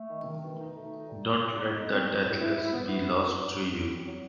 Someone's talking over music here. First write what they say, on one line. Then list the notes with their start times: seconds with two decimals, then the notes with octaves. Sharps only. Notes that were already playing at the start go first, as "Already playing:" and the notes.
Don't let the deathless be lost to you.
Already playing: A3
0.08 D#3
0.25 D#3
0.42 B2
0.59 D#4
0.75 A3
0.91 D#4
1.08 G3
1.25 A2
1.40 A2
1.57 B3
1.74 D#4
1.90 C4
2.07 F#3
2.23 A2
2.39 E4
2.56 E4
2.73 B3
2.89 B3
3.06 D#4
3.22 F#3
3.39 F#3
3.55 F#3
3.71 E4
3.88 C4
4.05 F#3